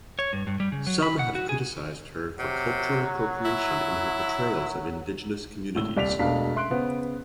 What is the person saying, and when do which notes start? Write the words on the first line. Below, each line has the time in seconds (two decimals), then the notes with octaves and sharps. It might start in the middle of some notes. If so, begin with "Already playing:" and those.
Some have criticized her for cultural appropriation in her portrayals of Indigenous communities.
0.19 C#5
0.33 G2
0.47 G2
0.60 G3
0.72 C#3
0.87 F#3
1.02 B5
1.19 F#5
1.35 F#4
1.49 G#4
2.39 C3 F#3
3.45 E4
5.75 G#1 A2 E6 G7
5.96 D#1 C2 D5 B6 F7
6.19 E1 B2 A3 D4 F5 B6
6.56 E5 C6 F#6 D7
6.70 C#3 B3 C5